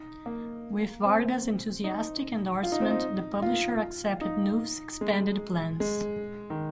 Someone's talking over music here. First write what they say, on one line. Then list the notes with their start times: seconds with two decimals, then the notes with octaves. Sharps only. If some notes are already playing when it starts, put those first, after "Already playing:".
With Varga's enthusiastic endorsement, the publisher accepted Knuth's expanded plans.
Already playing: D#4
0.26 A#3
1.05 C4
1.84 D#4
2.63 F4
2.72 D#4
2.81 C4
2.91 D#4
3.42 F4
4.21 D#4
5.01 G#3
5.80 G#3
6.50 D#3